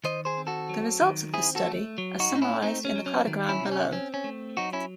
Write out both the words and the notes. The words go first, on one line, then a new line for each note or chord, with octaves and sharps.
The results of this study are summarized in the cladogram below.
D#3 C5 D#5
G#4 C5
C4
F#4 A4
F#3
D#3
C4 E4 G#4
F#4 A4
A3
F#3
D#4 F#4
A2 D#4
C#4 E4
A3 C4 D#4
C#4
F#3
C#4
D#3
C#4 E4
C3
D#4
C#4
C4 C#4
C#4
A3
F#3 D#4 F#4
C#4 E4